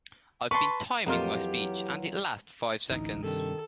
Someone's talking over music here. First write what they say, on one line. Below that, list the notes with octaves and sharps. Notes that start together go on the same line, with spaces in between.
I've been timing my speech, and it lasts five seconds.
B4 A5 C6 C#6
F2 B2 E3 F#3 A#3 F4 G4
A1 D2 A2 D#4
G2 C3 D#3 A4